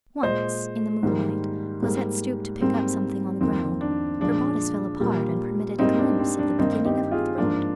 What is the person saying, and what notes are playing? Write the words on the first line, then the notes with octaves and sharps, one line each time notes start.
Once, in the moonlight, Cosette stooped to pick up something on the ground, her bodice fell apart and permitted a glimpse of the beginning of her throat.
A#2 G#3 C5 D#5
G#2 D#3 G3 A#3
G#2 G3 A#3
G#2 G3 A#3 C4
F2 D#3 A#3 C4
D4
A#2 F3 G#3 D4
A#2 G3 A#3
G#2 G3 A#3 C4 D#4
D4
C4
D4
G2 D#3 A#3 C4 D#4
D#4 G4
F4 G#4
G#2 F3 A#3 D4 F4